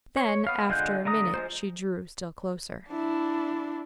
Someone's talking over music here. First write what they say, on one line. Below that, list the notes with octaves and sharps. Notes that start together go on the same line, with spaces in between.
Then, after a minute, she drew still closer.
C#5
B3 F5
D3 G#3 F4 F#5 G6
D3 A3 A#5 D#6
F3 G#3 F4 C5
D4 E4